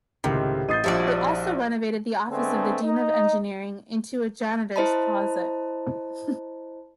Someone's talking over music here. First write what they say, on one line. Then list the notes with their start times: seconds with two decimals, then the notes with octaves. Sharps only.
They also renovated the office of the dean of engineering into a janitor's closet.
0.24 C#2 A2 C3 D#3
0.69 A1 D#5 D#6 G6 A6 C7 D#7
0.84 A#1 F3 G3 E4 F#4 D5
2.29 D3 G#3 A3 B3 C4 D4
2.83 D#4 D#5
4.76 E4 C5 D#5 A5 B5